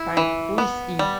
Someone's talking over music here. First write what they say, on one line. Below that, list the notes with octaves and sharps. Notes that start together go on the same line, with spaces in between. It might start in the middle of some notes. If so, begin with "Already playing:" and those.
And who is he?
Already playing: E4
E3
B3
G3